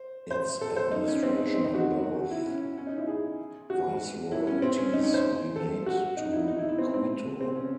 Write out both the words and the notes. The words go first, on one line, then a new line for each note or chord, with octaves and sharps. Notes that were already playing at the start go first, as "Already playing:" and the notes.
Its administration on both Viceroyalties remained to Quito.
Already playing: C5
C5
A4
C5
D#4
C#4
C4
D#4
C4
D#4
F#4
F#4
E4
C#4
C#4
D#4
E4
G#4
F#4
E4
C#4
C4
C#4
D#4
C#4
C5
A4
F#4
D#4
E4
D#4
E4
E4
C4
C4
C4
C#4